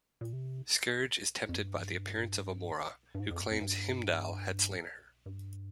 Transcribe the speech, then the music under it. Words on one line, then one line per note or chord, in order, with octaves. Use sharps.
Skurge is tempted by the appearance of Amora, who claims Heimdall had slain her.
A#2
C3
F2
G2
G2
G#2
F2
G2
F2
G2
G2